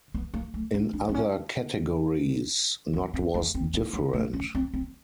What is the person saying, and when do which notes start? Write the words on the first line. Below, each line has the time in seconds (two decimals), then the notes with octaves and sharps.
In other categories not was different.
0.14 B3
0.34 A#3
0.54 A3
0.74 D4
0.93 D4
1.09 C4
1.14 C#4
2.93 B3
3.14 C4
3.34 A#3
3.54 C4
3.74 B3
3.93 A#3
4.13 A3
4.33 C#4
4.55 C4
4.74 C4